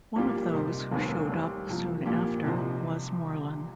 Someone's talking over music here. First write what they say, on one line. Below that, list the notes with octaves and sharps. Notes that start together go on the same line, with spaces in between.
One of those, who showed up soon after, was Morlun.
A#1 A#2 G3 A#3 G4
C3 G3 D#4 C5
F1 D#2 D#3 C4
D#2 D#3 G3 C4 G4
F2 C3 F3 A#3
A#1 A#2 A#3 G4
C2 C3 F3 D#4 C5